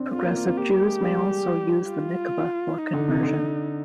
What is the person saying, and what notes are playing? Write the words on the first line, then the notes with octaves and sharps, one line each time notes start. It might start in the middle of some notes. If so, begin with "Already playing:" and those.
Progressive Jews may also use the mikveh for conversion.
Already playing: C4 D4
C4 F4
A#3
A#3
C4
A#3 G4
G#3
G3
F4
D#4
D3
C3
D3